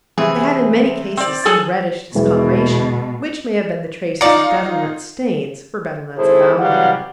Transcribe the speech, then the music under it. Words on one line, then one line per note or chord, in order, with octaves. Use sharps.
They had in many cases some reddish discoloration, which may have been the traces of betel-nut stains: for betel-nuts abound there.
C3 E3 G#4
C4 D5
G#4 A4 G#5
E1 B2 E3
D#4 F4 A#4 D5 C#7
G#1 E4 G#4 A4 C5
E3 F#3 G3 F5 F#5